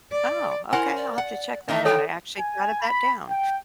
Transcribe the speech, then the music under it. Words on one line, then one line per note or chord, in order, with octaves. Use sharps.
Oh, okay. I'll have to check that out. I actually jotted that down.
D5
E4 A#4 C5 F#5 G#5
D5
F#5
D#3 E3 D#4 E5
A4 C#5 G5
G#5
B5
G5